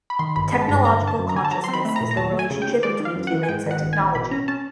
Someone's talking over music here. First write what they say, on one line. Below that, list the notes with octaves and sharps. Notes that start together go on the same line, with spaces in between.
Technological consciousness is the relationship between humans and technology.
B5
D#3 C6
G1 B5
G#3 B5
A5
G2 A#5
D3 A#5
D3
A5
F#2
A#5
D3 G#5
A5
F#3 A#5
C4 C6
B5
A3 B5
A#5
A#2
A#5
D#2 A5
A3
G#5
C#3
G5
D#2
G#3 D5
D#3
F5
F#2
F#5
D#3
G#5
G#2 G5
D#3 F#5
A1
G#5
A1
B2 B5
C#4 A#5
C#4 A5